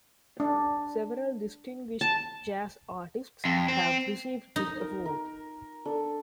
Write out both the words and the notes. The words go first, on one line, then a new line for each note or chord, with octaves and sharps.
Several distinguished jazz artists have received this award.
D4
A5
F2
C4
D#4
A#4
A#4
D4 A4